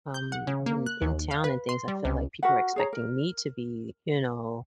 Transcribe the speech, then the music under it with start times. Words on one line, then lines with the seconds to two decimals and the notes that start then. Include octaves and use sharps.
um, in in town and things I feel like people are expecting me to be, you know,
0.14 G6
0.32 F#5
0.47 C#3
0.66 A#3
0.86 F#6
1.02 D#2
1.31 F5
1.44 B4
1.69 C6
1.88 G3
2.05 C#2
2.43 F#4 A#4 B4 F#5
2.76 G#4 C#5 A#5
2.93 A#4